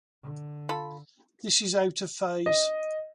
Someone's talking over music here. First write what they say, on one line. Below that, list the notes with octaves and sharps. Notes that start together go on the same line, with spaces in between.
This is out-of-phase.
D3
F4 A4 B5
D#5